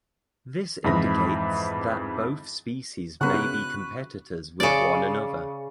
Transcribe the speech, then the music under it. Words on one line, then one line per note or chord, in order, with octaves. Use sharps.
This indicates that both species may be competitors with one another.
F2 G#2 E3 E5 B5 A#6
C#3 B3 F#4 A#4 B4 F#6
E4
C#3 D5